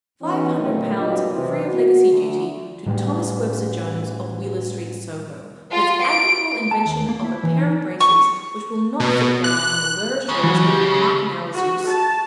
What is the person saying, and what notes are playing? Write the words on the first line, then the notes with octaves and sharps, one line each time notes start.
Five Hundred Pounds, free of legacy duty, to Thomas Webster Jones, of Wheeler Street, Soho, for his admirable invention of a pair of braces which will not slip down on the wearer's shoulders after half an hour's use.
E3 B3 C#4 D#4
A#2 D3 D#3 F#3 G3 A3
F#1 B1 G2 F4 D#5
C3 E3
F#4
D2
A2 G3
F4
D7
A5
D#2
A#3
E4
E3
D#4
C#6
B2
F#6
C#2 C#3
E3 F#3
G4
F#4
A5